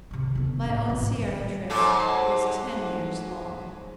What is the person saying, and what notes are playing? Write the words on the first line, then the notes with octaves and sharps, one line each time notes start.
My own Sierra trip was ten years long.
C3 D#3
D3 B3
A1 C#4
A1 A#2
D#3 G3
G#2 F#3 A4